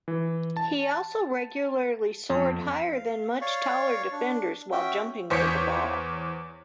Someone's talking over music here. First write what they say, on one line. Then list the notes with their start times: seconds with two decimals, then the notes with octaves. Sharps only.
He also regularly soared higher than much taller defenders while jumping for the ball.
0.08 E3
0.56 A5
2.30 F2
2.93 F5
3.41 C#5 D5 F5 C#6
4.12 D4
4.72 C#4 F#4 E5 G5
5.30 E2 C5 C#5 G6 B6 C#7